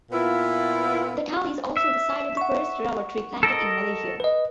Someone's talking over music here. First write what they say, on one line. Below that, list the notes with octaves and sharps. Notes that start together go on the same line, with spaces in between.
The town is also the site of the first rubber tree planted in Malaysia.
A#2 B3 E4 F4
E5
F#5 C#6
A4 A#4 D#5
B4 D#5